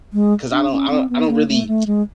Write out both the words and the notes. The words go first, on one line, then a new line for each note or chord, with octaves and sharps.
'cause I don't I don't I don't really
G#3
D4
C#4
C4
B3
A#3
A3
A3
G#3